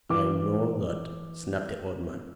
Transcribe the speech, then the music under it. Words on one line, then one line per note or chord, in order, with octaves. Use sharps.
"I know that," snapped the old man.
E3 D6